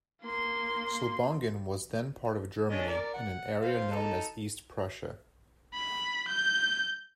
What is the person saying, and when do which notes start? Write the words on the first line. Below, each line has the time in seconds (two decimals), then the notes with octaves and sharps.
Selbongen was then part of Germany, in an area known as East Prussia.
0.22 A#3 C6
2.71 C#4 D4 D#5
2.87 A#4 D5
3.14 F#5
3.63 C5 F5
3.91 D#4 A4
5.74 B5
6.28 G6